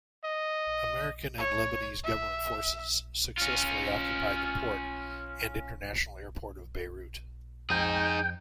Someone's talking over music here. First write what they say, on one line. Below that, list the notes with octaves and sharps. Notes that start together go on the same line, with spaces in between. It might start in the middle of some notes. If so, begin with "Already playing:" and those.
American and Lebanese government forces successfully occupied the port and international airport of Beirut.
D#5
C#5
E5
C#4 F4
F2 D#4 G#4 G5